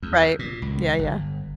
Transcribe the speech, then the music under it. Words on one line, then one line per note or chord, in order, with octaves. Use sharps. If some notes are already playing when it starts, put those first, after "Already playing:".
Right. Yeah, yeah,
E2
A#2
C#2
G1